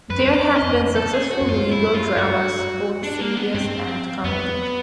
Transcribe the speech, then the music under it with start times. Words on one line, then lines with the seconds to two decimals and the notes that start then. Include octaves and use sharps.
There have been successful legal dramas both serious and comedic.
0.10 F#2 B4
0.27 F2
0.33 D5
0.56 D#5
0.62 F2
0.96 A4
1.13 G#4
1.31 F#4
1.41 F2
1.48 F#2 F4
1.71 G#2 E4
1.82 G2
1.94 F4
2.16 G2 F#4
3.03 D4
3.21 A#3
3.37 B3
3.54 G2 C4
4.24 F2 B3